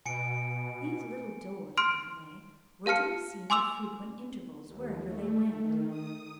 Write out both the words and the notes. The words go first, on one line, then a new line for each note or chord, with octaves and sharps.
These little doors, by the way, were to be seen at frequent intervals wherever they went.
B2 G#5 C#7 D7
C6 F6 D7
G4 F5 A5 F6 C#7
G#5 C6 D6 E6 F7
D#2
A3
D#3
D#6